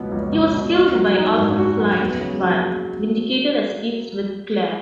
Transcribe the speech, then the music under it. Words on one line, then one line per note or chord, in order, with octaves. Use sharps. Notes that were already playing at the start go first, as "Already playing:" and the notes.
He was killed by Alpha Flight but Vindicator escapes with Claire.
Already playing: C#2 B2 B3
C#2
C#2
B2
F#4
F#3
D#4
G#2
F#4
F#3
B3
C#3
F#3